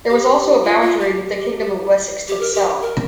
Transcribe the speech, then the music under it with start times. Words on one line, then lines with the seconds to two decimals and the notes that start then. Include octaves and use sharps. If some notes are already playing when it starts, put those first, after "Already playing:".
There was also a boundary with the kingdom of Wessex to the south.
0.10 G4
0.63 F4
0.81 F4
1.00 G4
2.28 G4
2.41 A#4
2.54 G4
2.82 A#4